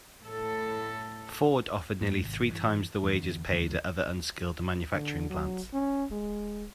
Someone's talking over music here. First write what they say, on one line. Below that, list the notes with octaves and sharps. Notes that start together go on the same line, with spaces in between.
Ford offered nearly three times the wages paid at other unskilled manufacturing plants.
A2 A4
F2 G#3 A#3
G#1 C3
G2 E3
E2 D3
D#2 D3 G3 B3
D3
F#3
C#4
G#3